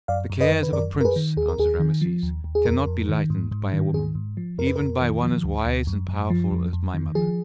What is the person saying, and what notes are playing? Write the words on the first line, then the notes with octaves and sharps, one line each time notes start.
"The cares of a prince," answered Rameses, "cannot be lightened by a woman, even by one as wise and powerful as my mother."
F#2 D5 F5
F#2
B4 D#5
D#3
B4
F#2 A#4 D5
F#2
A#4
G#4 B4
D#3
D#2 G#4
A#4
D#2 G#4
D#3
F3
D#2
D#2
G#4
F2 A#4
F2
D#3
G#2
G#2
D#3
G#2 G#4
G#2
F3
F2 A#4
B4
F2 A#4
D#3
F3
D2
D2
F#2
F#2
F3
F2
F2
D#3
F3 G#4